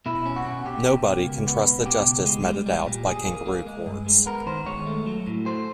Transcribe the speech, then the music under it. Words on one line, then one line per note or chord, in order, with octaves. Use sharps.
Nobody can trust the justice meted out by kangaroo courts.
B2 E4
C#4
F#4
B2
B2 G4
B2
A#3
C#2
B3
B2
B2 G4
C#2
G#3
G3
G3
A#2
G3 G#4
A#3
A#3
G#3
G2
G#3
B3 A#4
D#3 C5
G#3 C#5
A3
F#3
A2
A3 C5